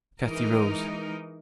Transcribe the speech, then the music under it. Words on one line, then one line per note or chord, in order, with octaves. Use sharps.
Cathy rose.
E3 G#3 D#4 A#4